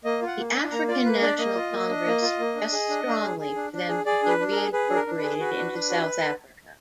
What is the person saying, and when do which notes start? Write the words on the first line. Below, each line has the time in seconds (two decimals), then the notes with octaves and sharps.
The African National Congress pressed strongly for them to be reincorporated into South Africa.
0.05 A#3 D#5
0.22 F4 F#5
0.38 A#3
0.50 G#5
0.55 D4
0.71 A#3 A#5
0.88 F4 D5
1.05 A#3 B4
1.22 D4 D5
1.38 A#3 D#5
1.55 F4
1.72 A#3
1.89 D4
2.06 A#3
2.22 F4
2.39 A#3
2.55 D4
2.72 G#4
2.89 D4
3.06 D4
3.22 G#4
3.40 G#4
3.56 D4
3.73 D4
3.89 G#4
4.06 G#4 D5
4.23 D4 B4
4.40 D4
4.51 G#4 A#4
4.73 G#4 B4
4.89 D4
4.95 A#4
5.07 D4
5.18 G#4 B4
5.40 F#4 B4
5.57 D4
5.73 D4
5.90 F#4